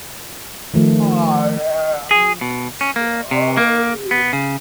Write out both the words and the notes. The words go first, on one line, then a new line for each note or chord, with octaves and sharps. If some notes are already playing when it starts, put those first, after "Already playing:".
I am sorry.
D#3 F3 A3
G#4
B2
C#4
A#3
C3
A#3
B3
C#3